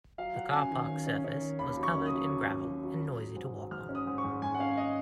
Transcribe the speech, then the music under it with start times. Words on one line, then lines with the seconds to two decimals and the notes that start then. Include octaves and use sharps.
The car park surface was covered in gravel and noisy to walk on.
0.18 F#3 F5
0.35 F#3 F#5
0.53 C#4 G#5
0.71 D#3
0.88 C#4
1.07 C#4
1.24 C#4
1.42 D#3
1.59 D#2 B5
1.77 F#3
1.83 C#6
1.95 C#4
2.06 D#6
2.13 F#3
2.30 F#3
2.48 F#3
2.65 F#3
2.84 F#3
3.00 F#3
3.18 F#3
3.36 G#2
3.53 F#3
3.71 G#2 F6
3.89 C#4
3.95 D#6
4.07 G#2
4.18 C#6
4.24 G#2
4.42 G#2 G#5
4.54 F#5
4.59 C#4 F5
4.77 D#5